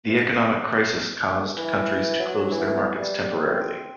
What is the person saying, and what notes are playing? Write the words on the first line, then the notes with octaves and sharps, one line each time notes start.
The economic crisis caused countries to close their markets temporarily.
C3
E3
F#3
E3
E3
G3
G3
C4
C4